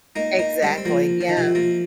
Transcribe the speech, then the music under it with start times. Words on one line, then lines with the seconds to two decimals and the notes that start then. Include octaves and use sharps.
Exactly, yeah.
0.16 A#3 D#4
0.39 A#3 D#4
0.62 G3 C4
0.78 C4
0.85 F3 A#3
1.21 F3
1.29 D#3
1.37 C3 F3
1.55 F3 A#3